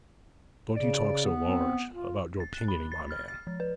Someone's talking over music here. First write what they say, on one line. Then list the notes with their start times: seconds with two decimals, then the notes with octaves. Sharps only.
'Don't you talk so large, about your pinioning, my man.
0.76 C#3 D5
1.25 B3
1.44 C4
1.92 F4
2.40 A6
2.53 F#6
2.68 B5
2.92 A6
3.11 F6
3.28 A6
3.47 F3
3.60 B4